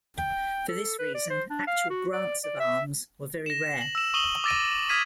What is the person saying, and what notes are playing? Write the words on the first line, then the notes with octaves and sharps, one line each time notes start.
For this reason, actual grants of arms were very rare.
G5
A4
B4
D5
C5
D4
F5
F#4
D5
D5
E5
A#6 E7
F#7
E6 E7
C#6 D#6 D#7 F#7 G7
D6 E6 A6 A#6 D7 D#7
D#6 F6 G#6 B6 D#7